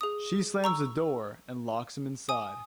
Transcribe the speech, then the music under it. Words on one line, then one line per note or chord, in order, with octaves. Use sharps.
She slams the door and locks him inside.
G#4 D#6
A#5 C#6 E6
G#5 D#6